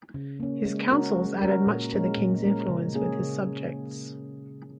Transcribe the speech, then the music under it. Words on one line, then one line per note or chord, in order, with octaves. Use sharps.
His counsels added much to the king's influence with his subjects.
C#3
A#3 C#4
G#3
C#4 F#4 A#4
G#3
C#4 F#4 A#4
A#2
G#3 C#4 A#4
A#2
G#3 C#4 A#4
C#3
A#3 C#4 G#4
C#3